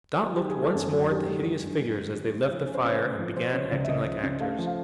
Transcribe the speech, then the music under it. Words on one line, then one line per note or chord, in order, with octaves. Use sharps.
Dot looked once more at the hideous figures as they left the fire and began acting like actors.
F#3
D#3 G4
G#4
A3 A4
F#2 G#4
F#3
D#3 G4
G#3 G4
D#3
G2
G2
G#3
D#3
A3
F3
C#4
C5
C#3 B4
A3
F3
F3 C5
C#3 C#5
C#2 D5
E5
C#2 D#5
F3
C#3
A3 F5
F3
F5